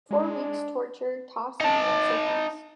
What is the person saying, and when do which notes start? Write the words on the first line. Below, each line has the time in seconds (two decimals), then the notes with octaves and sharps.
Four weeks’ torture, tossing, and sickness!
0.11 G#3 D4
1.61 D#4 A5